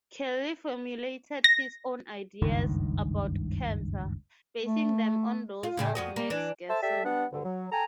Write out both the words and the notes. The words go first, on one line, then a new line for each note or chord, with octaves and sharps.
Kelley formulated his own ideas about cancer, basing them on those of Max Gerson.
A#6
F#1 C#2 G2 D#3
A3
F4
A2 C#3 G3
F2 F#4 D#5
A#3
E3 D4
A4 C5 E5 A5
G4 A4 D5 E5
G3 B3 D4 F#5
D2 G2 D3
F#3
A4 G5 G#5 A#5